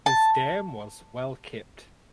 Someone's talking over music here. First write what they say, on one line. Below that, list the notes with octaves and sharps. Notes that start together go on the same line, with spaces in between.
His dam was Well Kept.
A5